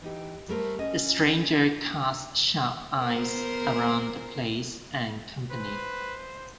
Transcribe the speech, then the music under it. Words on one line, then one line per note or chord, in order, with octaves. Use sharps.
The stranger cast sharp eyes around the place and company.
E3 D#4 G4
G3 A3 A#4 C5
C#4 D#5
B3 A#4 C5
B4 C5